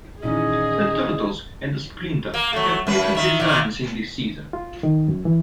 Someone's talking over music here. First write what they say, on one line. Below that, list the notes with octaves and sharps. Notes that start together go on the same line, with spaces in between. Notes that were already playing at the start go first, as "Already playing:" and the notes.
The Turtles and Splinter have different designs in this season.
A#2 D#3 E3 C#4 G#4 D#5
A#3
F#3 A3
F#2 B4
D#3 E5
A#2 D#3
F4
D#3
F#2
E3